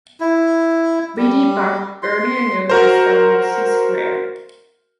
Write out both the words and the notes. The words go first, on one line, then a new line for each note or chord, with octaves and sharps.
B. D. Bagh, earlier known as Dalhousie Square.
E4
G3
C6
F#4 A#4 C5